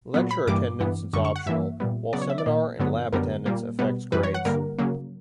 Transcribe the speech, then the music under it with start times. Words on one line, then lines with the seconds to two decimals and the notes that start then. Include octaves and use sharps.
Lecture attendance is optional, while seminar and lab attendance affects grades.
0.14 A#2 F#3 B3
0.31 B5
0.47 G2 E3 G3 A#3 D6
0.80 G2 E3 B3
1.13 F#2 D3 G3 C#6
1.25 C#6
1.36 F#5
1.46 G2 E3 A#3 E5
1.80 A#2 G3 B3
2.13 C#3 F#3 B3 D5
2.22 C#5
2.30 E5
2.38 D5
2.46 A#2 A#3
2.79 G2 D3 F#3 B3
3.13 F#2 D3 G3 B3 A#4
3.46 A#2 G3 A#3
3.79 B2 G3 B3
4.12 F#2 E3 G3 B4
4.23 C#5
4.34 F#5
4.45 G2 D3 G3 A#3 A#4
4.79 C#3 F#3 A#3